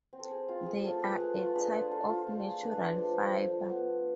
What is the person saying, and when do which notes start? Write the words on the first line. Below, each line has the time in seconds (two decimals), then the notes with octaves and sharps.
They are a type of natural fiber.
0.13 C4
0.20 A4
0.31 G#4
0.48 C4 F4
0.66 G#4
0.84 A3 F4 A4
1.02 G#4 B4
1.20 A3 G#4
1.38 F4 A4
1.55 D4 G#4 B4
1.66 B4
1.73 A4 C5
1.91 F4 A4 C5
2.09 F4
2.27 A3
2.45 G#4
2.63 D4 G#4 B4
2.98 F3 A4 C5
3.34 F3
3.69 B3